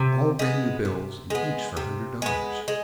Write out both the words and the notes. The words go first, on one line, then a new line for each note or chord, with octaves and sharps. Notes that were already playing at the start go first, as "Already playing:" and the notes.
"All brand new bills and each for a hundred dollars."
Already playing: C3
G#3 B3
C3
G#3 B3
C3
G#3 B3
G#3